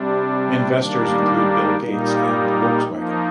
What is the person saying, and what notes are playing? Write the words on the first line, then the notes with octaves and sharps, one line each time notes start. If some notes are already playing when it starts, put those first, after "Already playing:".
Investors include Bill Gates and Volkswagen.
Already playing: C3 G3 D4
D#3 G3 A#3 D4
A#2 G3 A#3 D#4
F3 A#3 D#4